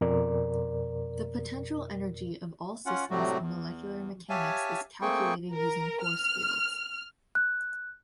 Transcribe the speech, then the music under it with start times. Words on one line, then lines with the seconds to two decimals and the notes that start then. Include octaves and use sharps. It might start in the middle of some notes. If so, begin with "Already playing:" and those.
The potential energy of all systems in molecular mechanics is calculated using force fields.
0.01 F2 B2 A#4 D5
2.86 C#4 F4 F#5
3.11 A2 C3 F#3 G3 A3 F#4
3.41 E2
4.29 G4 C#5 E5 F5 G#5 A5
5.02 A3 A#3 C4 G#4 G5 C#6
5.52 A#4
6.01 F6
7.35 F#6